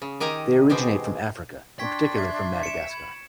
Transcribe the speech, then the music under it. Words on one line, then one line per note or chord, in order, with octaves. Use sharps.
They originate from Africa, in particular from Madagascar.
C#3
D#3 G4 G#5 A#5
B2 G#3 G4 C5
D4 G5 C6 C#6 G#6 B6
E5 G#6
C#7 D7 E7
B5 G#6